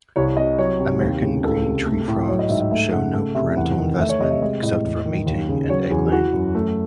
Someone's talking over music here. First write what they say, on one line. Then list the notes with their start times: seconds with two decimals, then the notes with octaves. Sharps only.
American green tree frogs show no parental investment except for mating and egg-laying.
0.16 C2 C#5
0.37 C3 D#5
0.58 F#3 C#5
0.79 C3
1.01 D#2
1.22 C#3
1.43 C#2 A4
1.65 C3
1.86 A3
2.08 A2
2.28 F#3 C#5
2.39 D#5
2.49 G#2 E5
2.61 E5
2.71 A3 E5
2.92 C#3 F#5
3.14 A3
3.35 C3 E5
3.56 E2 F#5
3.78 D#3
3.99 A3 E5
4.09 C#5
4.20 C3 D#5
4.31 E5
4.42 G#3 D#5
4.62 A2 D#5
4.84 E2
5.05 D#3
5.26 D#2
5.48 C#3
5.69 F#3 C#5
5.90 E2 G#4
6.07 G#4
6.12 E3 F#4
6.33 F#2
6.55 A3